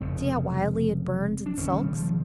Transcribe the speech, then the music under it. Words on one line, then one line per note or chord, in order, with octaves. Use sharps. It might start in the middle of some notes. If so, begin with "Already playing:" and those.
See how wildly it burns and sulks.
F1 F2 C#3 C4
D4
E1 D#2 C#3 C#4
G3
F3